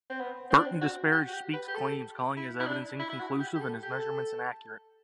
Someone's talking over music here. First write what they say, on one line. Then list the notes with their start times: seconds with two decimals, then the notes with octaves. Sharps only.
Burton disparaged Speke's claims, calling his evidence inconclusive and his measurements inaccurate.
0.10 C4
0.20 B3
0.50 C4
0.58 D4
0.66 C4
0.81 F#4
1.12 G4
1.28 F#4
1.33 G4
1.53 B4
1.68 G4
1.75 A4
2.37 E4
2.60 E4
2.67 D4
2.99 E4
3.09 E4
3.20 F#4
3.40 G4
3.55 G4
3.61 A4
3.83 G4
3.92 A4